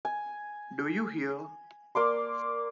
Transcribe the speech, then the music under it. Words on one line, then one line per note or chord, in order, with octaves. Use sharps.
Do you hear?
G#5
A#3 D5 C6